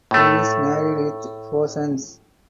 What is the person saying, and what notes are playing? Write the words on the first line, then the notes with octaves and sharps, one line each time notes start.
He is married with four sons.
A2 A3